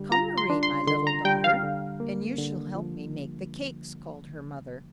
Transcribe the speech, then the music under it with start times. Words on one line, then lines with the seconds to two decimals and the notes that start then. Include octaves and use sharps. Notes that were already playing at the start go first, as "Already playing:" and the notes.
"COME, Mari, my little daughter, and you shall help me make the cakes," called her mother.
Already playing: D3 G3
0.12 F4 A#5
0.38 C6
0.50 D4
0.63 C6
0.87 D3 C6
1.07 A#5
1.25 G3 G5
1.44 F5
1.63 D3
2.00 A#3
2.38 D3
2.75 F3